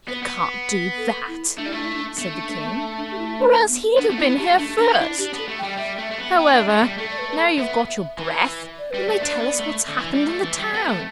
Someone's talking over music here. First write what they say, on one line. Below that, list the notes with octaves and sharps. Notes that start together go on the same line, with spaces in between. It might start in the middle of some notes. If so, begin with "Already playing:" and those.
'He can't do that,' said the King, 'or else he'd have been here first. However, now you've got your breath, you may tell us what's happened in the town.'
B3
B3
A4
E4
A3 D4
G3 E4
A3 D4
E4
D4
A3 B3
D4
D4
B3
D4
D4
G4
E4
D4
B3
B3 D4
A3
B3 E4
A3 G4
A3 D4
B3 D4
D4 E4
D4 G4
B3 A4
A3
G5
G3
G3 E5
A3
A3
B3
B3 G5
D4 E5
A3
G3
A3 A4
D5
B4
B4
A4
B3 E5
E3
D5
G3 B4
D5
A3
D4
B3
A3
D3
E3
G3
A3
E3
G3
B3
A3